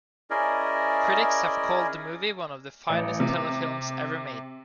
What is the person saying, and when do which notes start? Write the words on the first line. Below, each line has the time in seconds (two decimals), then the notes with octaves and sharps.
Critics have called the movie one of the finest telefilms ever made.
0.30 C#4 E4 G#4 A#4 D5 D#5
2.89 A1
3.20 C3